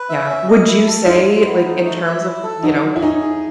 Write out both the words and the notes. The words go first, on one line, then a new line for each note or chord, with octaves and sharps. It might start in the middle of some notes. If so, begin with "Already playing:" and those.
Yeah. Would you say, like, in terms of, you know,
Already playing: B4
E5
C#4
D#5
E4
A4
G#3 E4
G#3
B3
D#4
A3
E5
E4
A4
F#3 D#4
F#3
E4
C#4 D#4
G#4